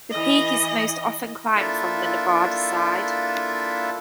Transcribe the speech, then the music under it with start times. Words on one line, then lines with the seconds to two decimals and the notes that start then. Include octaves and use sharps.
This peak is most often climbed from the Nevada side.
0.11 E3 D#5
1.56 A#3 D4 E4 F4 A4 E5